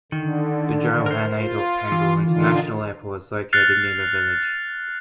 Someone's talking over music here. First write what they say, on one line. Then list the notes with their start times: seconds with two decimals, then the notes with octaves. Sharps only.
The Johan Adolf Pengel International Airport is located near the village.
0.12 D3 D#3
1.06 A#4 C5
1.39 F4
1.92 E3
2.23 D3 D#3 F4
3.53 F6 F#6 A6 C7 C#7 F7